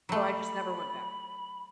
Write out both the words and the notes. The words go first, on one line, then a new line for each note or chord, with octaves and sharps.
so I just never went back.
F#3 A3 B5